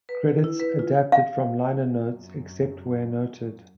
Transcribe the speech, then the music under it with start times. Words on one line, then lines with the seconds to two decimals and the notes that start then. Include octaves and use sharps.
Credits adapted from liner notes, except where noted.
0.09 B4
0.44 E4
0.60 B4
0.79 F4
1.12 F5
1.99 F#2